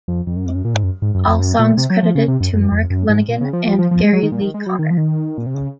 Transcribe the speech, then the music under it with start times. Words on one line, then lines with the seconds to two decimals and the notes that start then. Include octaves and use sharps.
All songs credited to Mark Lanegan and Gary Lee Conner.
0.08 F2
0.27 F2
0.36 F#2
0.46 F2
0.55 F#2
0.65 A#2
0.74 G#2
0.83 F#2
1.02 G#2
1.15 F#2
1.28 F2
1.39 F#2
1.59 A#2
1.77 C3
1.90 F#3
2.03 F3
2.15 C#3
2.28 C3
2.40 F#2
2.53 F#2
2.72 F2
2.90 F#2
3.09 G#2
3.29 A#2
3.41 C#3
3.53 F3
3.66 F3
3.79 F3
3.91 F3
4.04 G#3
4.13 F#3
4.23 D#3
4.32 A#2
4.41 D#3
4.54 G#3
4.66 F#3
4.79 D#3
4.91 F3
4.97 D#3
5.38 A#2
5.46 C3
5.54 C#3